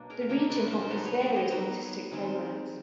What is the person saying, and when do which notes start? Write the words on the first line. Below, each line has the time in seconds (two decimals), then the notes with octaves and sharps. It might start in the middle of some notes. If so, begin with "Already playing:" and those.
The region offers various artistic programs.
Already playing: B2 F#3 A#3 D4
0.10 G#4 A#4
0.29 B2 F#3 A#3 D4 G#4 A#4
0.50 A4 B4
0.70 A#4 C5
0.90 F#3 B3 D#4 A4 B4
1.05 B4 C#5
1.20 C5 D5
1.36 C#5 D#5
1.51 F#3 B3 D#4
2.12 D#3 G#3 C4